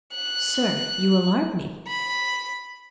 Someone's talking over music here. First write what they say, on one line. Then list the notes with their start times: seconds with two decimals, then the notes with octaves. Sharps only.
"Sir, you alarm me."
0.14 F#6
1.87 B5